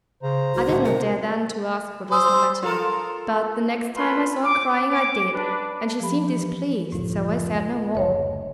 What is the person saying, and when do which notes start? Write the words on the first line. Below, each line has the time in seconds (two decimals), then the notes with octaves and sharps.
I did not dare then to ask what was the matter; but, the next time I saw her crying, I did, and she seemed displeased;--so I said no more.
0.23 C#3 C5 A#5
0.55 C2 F#4
0.69 A2 D3
0.85 C3 A#4
2.11 C5 G#5 D#6 E6
2.63 F4 A4 A#4
3.97 A3 F4 A#4 B4 B5 C6
4.45 D6
4.91 D6
5.33 D4 B4
6.00 F3 G4 B5
6.28 E3
6.92 F#1 D2 A2 F3
7.95 F#1 D2 B4 C#5 D#5